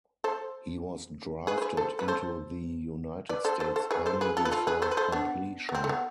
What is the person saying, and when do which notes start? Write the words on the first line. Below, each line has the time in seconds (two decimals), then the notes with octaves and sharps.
He was drafted into the United States Army before completion.
0.24 A4 C5
1.47 G#4 B4
1.58 C5
1.62 G#4 B4
1.77 A4 C5
1.99 B4
2.08 A4 C5
3.29 B4 D5
3.45 A4 C5
3.60 A4 C5
3.76 A4 C5
3.91 G#4 B4
4.06 A4 C5
4.21 G#4 B4
4.37 F4 A4
4.45 B4
4.52 F4 A4
4.67 G#4 B4
4.82 A4 C5
4.91 B4
4.97 A4 C5
5.12 B3 D4
5.69 B3
5.75 C4
5.84 A3
5.89 B3